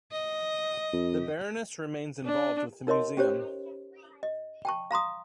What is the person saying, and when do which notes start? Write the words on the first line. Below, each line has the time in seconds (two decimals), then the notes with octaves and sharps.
The Baroness remains involved with the museum.
0.12 D#5
0.93 F2
2.25 D4
2.87 D#4 A#4 C#5 D#5 C6
3.17 C#4 G4 C5 C#5
4.23 D#5
4.65 G5 A5 C#6
4.91 F5 A#5 C6 D#6